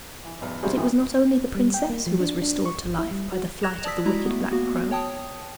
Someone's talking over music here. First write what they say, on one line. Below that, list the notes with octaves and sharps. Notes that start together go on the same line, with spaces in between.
But it was not only the princess who was restored to life by the flight of the wicked black crow.
E3
B1 E2
C3 G3 C4 D4 F#4 G#4
F#2 A#2 D#3
G3
G5
A#3
F3
D4
D4
C#6
G1
E4
G3
F#4
F#6 G#6 A#6 E7 F7
D5 A5 D#6 E6 B6
G#3 E4 F#4 A#5
A3 B3
A#3 B3 F#4
C#5 G5 A5 D#6